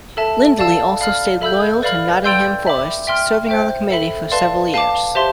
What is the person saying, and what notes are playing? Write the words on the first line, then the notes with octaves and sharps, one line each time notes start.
Lindley also stayed loyal to Nottingham Forest, serving on the committee for several years.
A4 E5 A5
D5 F5 A5 E6
D5 F5 B5 F6
A4 E5 B5 E6 G6
B4 D5 F5 B5 F6
D5 G5 C6 E6 G6
E5 B5 D6
E5 G5 C6 F6
C5 E5 G5
A4 E5 B5
B4 D5 F5 A5 C6
F5 A5 D6
G4 C5 E5 A5 C6